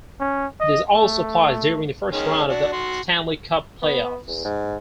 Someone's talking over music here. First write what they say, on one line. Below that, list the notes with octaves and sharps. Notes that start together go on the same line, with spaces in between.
This also applies during the first round of the Stanley Cup playoffs.
C#4
D#5
A3
D#3 G#3 C#4
D4 F#4
F#4 C6
B3
E2
G#2